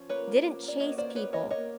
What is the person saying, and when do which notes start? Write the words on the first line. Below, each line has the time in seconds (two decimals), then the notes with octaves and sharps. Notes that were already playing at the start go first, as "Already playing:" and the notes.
didn't chase people
Already playing: F3 C#4
0.09 A#3 B4 C#5
0.27 A#3
0.45 A#3
0.63 A#3
0.68 D5
0.80 B2 C#5 D#5
0.98 A#3 C5 D5
1.15 B2 B4 C#5
1.33 A#3 C#5 D#5
1.51 A#3 C#5 D#5